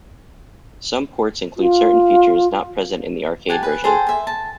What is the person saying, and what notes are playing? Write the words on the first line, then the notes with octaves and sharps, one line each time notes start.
Some ports include certain features not present in the arcade version.
F4
G4 F#5 G#5 A5
B4 G#5
G#4 A4 C5 G5
E5 G#5
A5